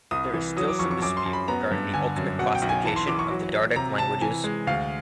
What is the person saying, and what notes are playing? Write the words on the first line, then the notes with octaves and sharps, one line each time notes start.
There is still some dispute regarding the ultimate classification of the Dardic languages.
C2 D#6
E3
F#3 D#6
D6
F2 C#6
C#6
F#2 D6
C6
F#2
B5
B3 A#5
G2
D3 G#5
F#2
B2 F#5
G5
B1
G#5
E3 A5
C6
E3 D6
C#6
F#3
F#3
C3 A#5
C3 A5
E3 G#5
G#3
D2 F5